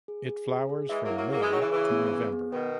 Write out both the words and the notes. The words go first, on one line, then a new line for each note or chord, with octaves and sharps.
It flowers from May to November.
G#4
G#4
G#4
G#4
E3 G#3 E5
F#3 A#3
E4
F#3 A#3
F#3 A#3 G#4
E3 G#3
D#3 F#3 G#4
C#3 E3
C#3 E3 G#4
B3
G#4
B3
B2 D#3 B4